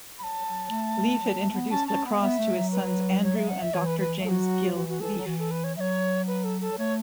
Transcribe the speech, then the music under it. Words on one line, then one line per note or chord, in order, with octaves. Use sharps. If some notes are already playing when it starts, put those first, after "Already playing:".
Leaf had introduced lacrosse to his sons Andrew and Doctor James 'Gil' Leaf.
F#3 A5 B5
F#3
A3
F#3
A3
A3
B3
C#4 A5
C#4 A5
B3
B3 E5
A3
F#3
B4
C#5
E5
F#5
E5
E3 C#5
B4
B4
A3
F#3 F#4 A4
F#3
E3 F#4
F#4
E3 A4
F#3
E3 F#4
A4
B4
C#5
F#3 C#5 E5
B4
A4
A4
F#3
A3 C#5